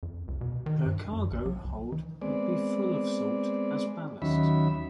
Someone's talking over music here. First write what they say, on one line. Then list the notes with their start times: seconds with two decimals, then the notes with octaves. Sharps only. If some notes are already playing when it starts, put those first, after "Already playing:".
Her cargo hold would be full of salt as ballast.
0.03 F2
0.28 C#2
0.41 B2
0.66 D#3
0.86 G2
1.13 F#2
1.31 A#1
1.46 F#3
1.64 C#2
1.92 E3
2.22 G#3 B3 C4 D5
4.22 D#2 D#3 F#3 C#4 E5 B5